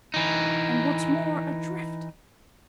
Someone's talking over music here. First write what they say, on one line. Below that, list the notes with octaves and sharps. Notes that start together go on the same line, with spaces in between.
And what's more,--adrift.
E3 D#4